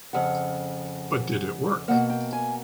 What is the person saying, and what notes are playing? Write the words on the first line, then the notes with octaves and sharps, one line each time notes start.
But did it work?
F2 C#3 F#5
F#3 A#3 F#5
B2
G5
G#5